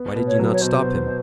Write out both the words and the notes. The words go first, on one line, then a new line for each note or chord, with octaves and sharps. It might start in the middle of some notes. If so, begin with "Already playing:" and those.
"Why did you not stop him?"
Already playing: B3
B2
C#5
F#3
C#5
B2 C5
B2
B2